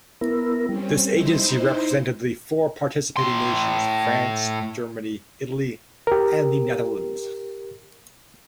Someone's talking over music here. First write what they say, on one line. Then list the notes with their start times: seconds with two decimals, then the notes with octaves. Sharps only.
This agency represented the four participating nations: France, Germany, Italy, and the Netherlands.
0.21 B3 E4 A#4
0.69 G3 C4 C#4
1.13 D#4 E4 C5
3.17 A2 C6
6.07 G4 A#4